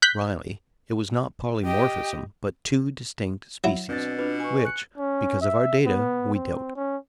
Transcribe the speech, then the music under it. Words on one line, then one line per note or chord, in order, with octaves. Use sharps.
Riley, it was not polymorphism, "but two distinct species"--which, because of our data, we doubt.
F#6 G6 B6
G4 D#5 G5
F#3 E4
B2 C4 D4 A6
D4 F4 B4
G#5 C#6
F#6 C#7
C#4
E5
B3
C4
C#4